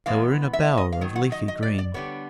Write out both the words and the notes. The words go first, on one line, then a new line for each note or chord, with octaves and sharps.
They were in a bower of leafy green.
E3 G#3 B3 F5
E5
D#5
F5
D#3 F#3
F#5
D#5
D#5
D5
D5
D3 G3 B3 C#5